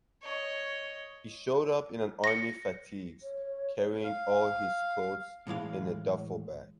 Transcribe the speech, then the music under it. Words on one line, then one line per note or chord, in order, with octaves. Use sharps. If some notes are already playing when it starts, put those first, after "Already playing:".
He showed up in army fatigues carrying all his clothes in a duffel bag.
C#5 D#5
A#6 C#7
C#5
F5
A2 E3 G#3 F5